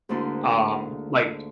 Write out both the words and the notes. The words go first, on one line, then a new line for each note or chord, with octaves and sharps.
Um, like
D2 G#2 D3 A#3 E4 C6